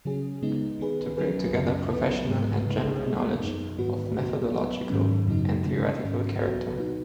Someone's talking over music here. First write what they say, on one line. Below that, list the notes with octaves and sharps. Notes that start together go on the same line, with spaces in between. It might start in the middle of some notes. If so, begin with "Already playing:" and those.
To bring together professional and general knowledge of methodological and theoretical character.
C#3 F#3 C#4 G#4
C#3 G#3 B3 D#4
D#3 B3 G#4 B4
F#3 C#4 G#4 B4
F#2 C#3 F#3 C#4
F#3 B3 F#4 B4
G#2 G#3 B3 G#4 B4
C#3 G#3 B3 D#4
B2 G#3 B3 G#4
F#2 F#3 B3 D#4
G#2 D#3 B3 F#4 B4
B2 B3 F#4
F#3 B3 F#4 B4
G#2 D#3 F#3 C#4
F#2 C#3 F#3 B3 D#4
C#3 G#3 C#4
G#2 D#3 F#3 C#4
F#3 B3 F#4 B4
B2 B3 D#4 F#4